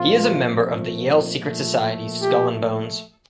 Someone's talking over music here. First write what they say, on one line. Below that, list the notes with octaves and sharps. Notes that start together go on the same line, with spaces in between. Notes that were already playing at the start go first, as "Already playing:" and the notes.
He is a member of the Yale secret society Skull and Bones.
Already playing: A#2 F3 A3 C4 F4
A#2 F3 A3
G4